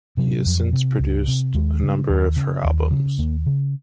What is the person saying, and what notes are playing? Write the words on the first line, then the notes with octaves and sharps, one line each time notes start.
He has since produced a number of her albums.
C3 F#3
F2
C3
C#2
C3
D#2 G#3
C#3
D#2
C#3
D#2
C#3
D#2 A#3
C#3